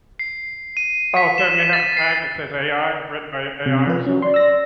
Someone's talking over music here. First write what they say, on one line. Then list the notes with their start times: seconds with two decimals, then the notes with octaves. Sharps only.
Oh, so it may have a tag that says AI written by AI or something.
0.19 C7
0.77 D#7
1.17 B6
1.38 E7
1.73 A6
1.97 C7
3.66 C3 C#4
3.87 F3 B4
4.06 F#3 C#4
4.22 D5 C6
4.34 E6 A#6